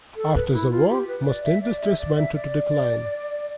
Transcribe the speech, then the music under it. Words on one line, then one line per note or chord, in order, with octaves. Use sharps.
After the war, most industries went into decline.
A4
B4
E4
F4
G4
B4
D5
E5
D5
E5
D5
E5
D5